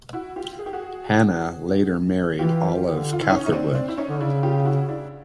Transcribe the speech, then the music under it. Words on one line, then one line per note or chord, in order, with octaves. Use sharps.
Hanna later married Olive Catherwood.
E4 F#4
F4 G4
G#4
G4
F#4 G#4
E3 F4 G4
D3
F4
E4
C#4 D#4
D#4
C4 D4
C4 D4
E4
C#4 D#4
D3
C#3 D4 E4
F4 G4
E4 F#4
D4 E4